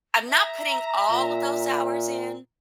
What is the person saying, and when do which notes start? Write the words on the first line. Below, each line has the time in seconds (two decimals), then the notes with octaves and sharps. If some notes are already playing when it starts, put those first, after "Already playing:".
I'm not putting all of those hours in,
0.28 E5 A#5
1.11 A#2